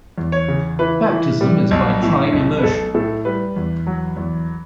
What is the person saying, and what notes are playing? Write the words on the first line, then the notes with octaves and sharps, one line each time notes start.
Baptism is by trine immersion.
E2
C#5
C#3
E3 B4
E3
G3
B1
A2
B1
B4
B1 A4
A2 A4
G3 B4
E2
F#3
E2